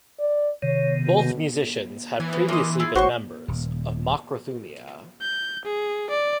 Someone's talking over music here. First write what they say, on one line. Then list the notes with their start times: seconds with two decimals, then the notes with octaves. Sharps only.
Both musicians had previously been members of Makrothumia.
0.19 D5
0.62 C3 D#3 C#5
1.05 B2
2.20 E3 G#5
2.33 B3
2.49 A#3 D#5 C6 D#6
2.80 E4 F4 G#4
2.95 G#1 F#4 C5 C#5 C6 C#6
3.48 D#1
5.21 G6
5.65 G#4
6.09 D5